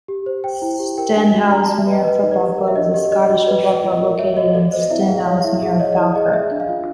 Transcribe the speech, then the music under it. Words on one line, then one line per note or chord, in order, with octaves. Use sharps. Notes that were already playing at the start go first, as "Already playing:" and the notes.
Stenhousemuir Football Club is a Scottish football club located in Stenhousemuir, Falkirk.
G4
C5
C5 G5
E4
G4
A#4 G5
D4 G#5
F#4
D5 A#5
A5
G4
E5
B4 D#5
B4 D#5
D#4
D5
G4
A#4
E5
D4 D#5
G4 D#5
D5 D#5
F#4 D#5
B4 D5
D5
F4
D#5
A#4
C#5 E5
F#4 D#5
A4 D5
C5 D#5
E4 E5
F#5
G#4 F5
C#5 F5
E4 E5
G#4 E5
C#5 D#5
D#5
E4 D5
G#4 D#5
G#4 E5
D4
F5
F4